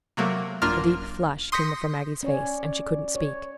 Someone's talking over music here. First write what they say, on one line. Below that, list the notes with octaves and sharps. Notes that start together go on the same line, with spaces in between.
A deep flush came over Maggie's face, and she couldn't speak.
C3 F#3 A3 A#3
A1 F#2 A#3 D4 F4 F6
C6 D#6 G6 A#6 B6 C#7
C#4 C#5 D5
C#5